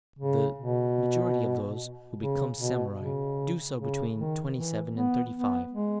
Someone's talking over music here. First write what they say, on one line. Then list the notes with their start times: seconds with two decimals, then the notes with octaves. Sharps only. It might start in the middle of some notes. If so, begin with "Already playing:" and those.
The majority of those who become samurai do so between twenty-seven and thirty-five.
0.19 C#3
0.58 B2
2.17 C#3
2.56 B2
2.96 C#3
3.76 C#3
4.15 D#3
4.54 E3
4.95 B3
5.34 B3
5.74 G#3